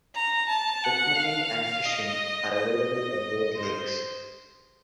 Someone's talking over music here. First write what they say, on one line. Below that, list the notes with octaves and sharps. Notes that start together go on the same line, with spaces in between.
Picnicking and fishing are available at both lakes.
A#5
A5
F#5
F5
D#5
D#5
C5